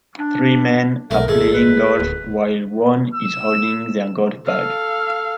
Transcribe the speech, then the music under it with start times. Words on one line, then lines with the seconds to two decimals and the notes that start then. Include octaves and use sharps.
Three men are playing golf while one is holding their golf bag.
0.19 D4
1.11 B1 A3 A#4
1.28 G#1 G#3 A4
1.53 B4
1.99 D1
3.15 E6
4.46 A4 F5